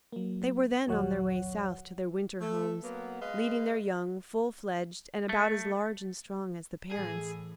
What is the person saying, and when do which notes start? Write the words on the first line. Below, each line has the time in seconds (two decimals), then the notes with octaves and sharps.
They were then on their way south to their winter homes, leading their young full-fledged and about as large and strong as the parents.
0.12 F#3 A#3
0.88 A#1 D#2 F#3 C#5 F#5
2.41 A3
2.83 F#3 A#3 B3
3.21 G#3 B4 D#5 F5
5.29 A3
6.91 A2 E3 G#4